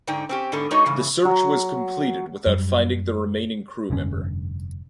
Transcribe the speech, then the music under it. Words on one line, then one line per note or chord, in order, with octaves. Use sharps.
The search was completed without finding the remaining crew member.
G#2 D3 D#4 D5 G5
C4 C#4 G4
G#2 D3 B3 D4 A4
G#3 D#4 F#4 C#5 D#5
G#2 C#3 E3
F#3
F#2 G3
F1 G2 D3 C#4